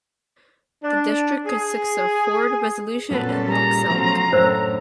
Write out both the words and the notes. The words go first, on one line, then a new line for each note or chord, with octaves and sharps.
The district consists of Fort Resolution and Lutselk'e.
D4
G#4
F#2 A#2 B3 C#4 A4 B4
G3 G#4 A#5
B2 F3 F#3 A3 C#4 F4
F#2 A2 D3 A3 D4 C5 E6